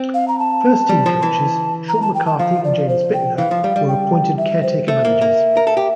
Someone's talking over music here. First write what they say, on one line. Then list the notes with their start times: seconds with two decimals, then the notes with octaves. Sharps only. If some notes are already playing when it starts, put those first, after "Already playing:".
First team coaches Sean McCarthy and James Bittner were appointed caretaker managers.
Already playing: C4
0.14 F5
0.28 A#5
0.39 A5
0.89 G3
1.06 F3
1.22 E3
1.88 A#5
2.02 A5
2.15 G5
2.26 A5
2.39 F3 F5
2.64 D5
2.89 C5
3.14 G5
3.38 E3 F5
3.51 F3
3.64 G3
3.76 G3
3.88 G5
4.38 E5
4.63 C5
4.88 A3 E5
5.05 A#3
5.21 A#3
5.57 A#4
5.67 A4
5.77 G4